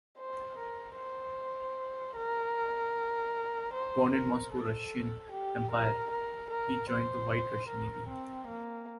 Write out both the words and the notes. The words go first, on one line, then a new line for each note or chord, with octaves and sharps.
Born in Moscow, Russian Empire, he joined the White Russian Navy.
C5
A#4
C5
A#4
C5
A#4
A4
G4
A#4
A#4
A#4
C5
A#4
C4
A#3